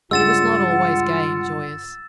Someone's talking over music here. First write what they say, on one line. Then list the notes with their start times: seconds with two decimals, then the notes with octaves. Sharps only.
He was not always gay and joyous.
0.11 G2 C#3 G#3 F4 F#5 E6 A6 E7